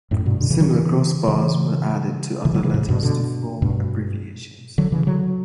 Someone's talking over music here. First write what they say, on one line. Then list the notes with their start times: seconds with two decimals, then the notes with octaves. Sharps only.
Similar crossbars were added to other letters to form abbreviations.
0.11 F#2 A2
0.26 G2 B2
0.40 B2 D3
0.50 C#3 E3
0.60 D3 F#3
0.69 C#3 E3
1.27 C#3 E3
2.45 C#3 E3
2.54 D3 F#3
2.64 C#3 E3
2.74 A2 C#3
2.89 G2 B2
3.03 B2 D3
3.62 G2 B2
4.78 D3 F#3
4.92 C#3 E3
5.07 D3 F#3